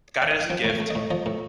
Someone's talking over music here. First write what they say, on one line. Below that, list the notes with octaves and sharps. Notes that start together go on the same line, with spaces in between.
Got it as a gift,
D5
D#5
F5
F3 G5
A2
F5
A3
A2 D#5
F3 D#5
A2